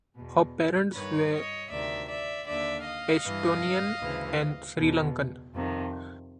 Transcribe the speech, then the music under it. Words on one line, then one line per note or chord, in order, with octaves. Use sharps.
Her parents were Estonian and Sri Lankan.
E2 B2
G2 D#3 B4 C#5
C#5 D#5
D2 C3 D#3 D5 E5
D5 E5
D#2 D3 D5 E5
D#5 F5
G2 E3
D2 C#3 E3
E2 B2
F2 C3 D#3